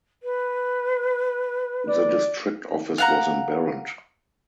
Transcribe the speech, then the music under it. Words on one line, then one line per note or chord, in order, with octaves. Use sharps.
The district office was in Berent.
B4
D5
F5 F#5 A#5